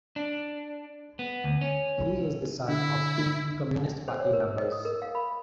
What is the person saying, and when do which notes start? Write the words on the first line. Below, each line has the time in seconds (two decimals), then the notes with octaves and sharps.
He is the son of two Communist Party members.
0.16 D4
1.19 B3
1.44 D2
1.61 C#4
2.69 D3 E4
4.08 C5
4.20 C#5
4.33 A#4
4.58 D#5
4.72 D#6
4.85 A#4
5.02 F5
5.15 B5